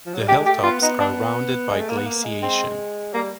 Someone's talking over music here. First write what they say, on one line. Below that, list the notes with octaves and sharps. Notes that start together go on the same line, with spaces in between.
The hilltops are rounded by glaciation.
F3
F#3
G3
G#3 G4
G#3
A3 G4
B3 F4
B3 D#4
B3 D4
G#3
A3
A#3
B3
A#3
G#3
C4
G3 A#3